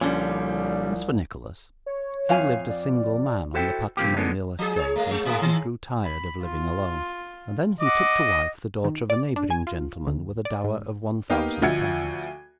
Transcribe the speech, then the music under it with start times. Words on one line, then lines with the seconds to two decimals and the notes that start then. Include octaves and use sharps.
As for Nicholas, he lived a single man on the patrimonial estate until he grew tired of living alone, and then he took to wife the daughter of a neighbouring gentleman with a dower of one thousand pounds.
0.01 C2 A#2 D3 F3 G3 C#4
1.86 C#5
2.29 F2 F5 G#5
2.70 D5
3.53 E4 F#4 A4 C5 D#5 G5
3.97 A#2 C#3 F3 A#3 C4 G4
4.17 F#2 A2 D3 G#3 B3 D4
4.59 F3 G#4
4.76 G#4 C#5
4.96 G#3 A3
5.11 G#3
5.25 A2 A3
5.42 D#3
6.05 B5
6.43 F4
7.81 D#5 F#5 D6
8.84 D#3
9.10 D5
9.36 D4
9.50 G#5
9.67 F4
10.07 D2
10.45 D5
10.64 G#2
11.30 A#3 B3 D#4 G4 F5
11.62 D2 F3 E5 F#5 G#6 C#7